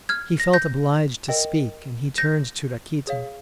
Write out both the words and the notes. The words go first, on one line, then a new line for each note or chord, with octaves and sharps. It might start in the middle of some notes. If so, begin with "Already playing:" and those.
He felt obliged to speak and he turned to Rakitin.
F6 G#6
A#6
G6 A#6
A#4 D#5 G5
G6 A#6
G#4 C#5 F5